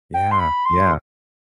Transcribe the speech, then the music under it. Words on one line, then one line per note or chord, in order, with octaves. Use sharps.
yeah, yeah.
G5
C6
B5
C6